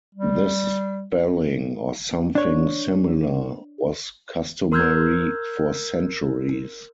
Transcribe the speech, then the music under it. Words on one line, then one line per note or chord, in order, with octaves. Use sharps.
This spelling, or something similar, was customary for centuries.
G3
D4 C#5
A#4 C6 E6 F6 G6 G#6